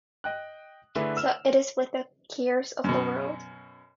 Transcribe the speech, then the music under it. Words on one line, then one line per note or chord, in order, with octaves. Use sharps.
So it is with the cares of the world.
D#5 G5 F#6
D3 A3 D4 E4 G#4 B4
E6 F6 E7
F#2 B2